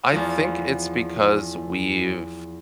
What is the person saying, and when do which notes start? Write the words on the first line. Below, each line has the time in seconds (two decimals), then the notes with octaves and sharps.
I think it's because we've
0.12 E2 F3